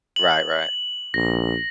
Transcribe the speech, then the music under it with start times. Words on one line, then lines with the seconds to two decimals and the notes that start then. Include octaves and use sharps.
Right. Right.
0.16 F#7
1.14 A#1 A#6